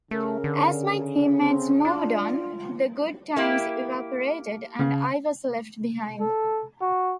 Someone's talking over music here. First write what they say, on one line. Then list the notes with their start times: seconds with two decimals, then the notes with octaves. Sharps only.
As my team-mates moved on, the good times evaporated and I was left behind.
0.11 C#3 A3 A#4
0.44 D3
1.38 C4
1.85 D4 F4
3.36 A#3 E4 G4
4.79 C#3
6.20 A4
6.82 F#4